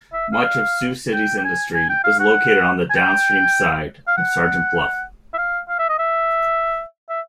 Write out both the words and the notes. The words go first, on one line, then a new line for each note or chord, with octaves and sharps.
Much of Sioux City's industry is located on the downstream side of Sergeant Bluff.
E5
F5
G5
G5
G#5
G#5
G5
F5
F#5
G#5
G5
F5
F#5
E5
F5
F5
E5
D#5
E5
E5